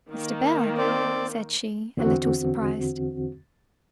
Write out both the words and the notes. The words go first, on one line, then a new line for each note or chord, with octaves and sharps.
'Mr. Bell!' said she, a little surprised.
D#3 A#3
C4 D5
E2 D3 C4 F#4